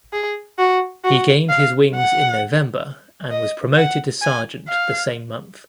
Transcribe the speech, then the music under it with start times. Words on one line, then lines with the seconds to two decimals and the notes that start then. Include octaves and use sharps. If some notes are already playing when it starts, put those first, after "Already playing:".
He gained his wings in November and was promoted to sergeant the same month.
0.13 G#4
0.58 F#4
1.04 F#4
1.49 F5
1.95 F#5
3.32 D#5
3.77 F#5
4.22 G#5
4.68 F5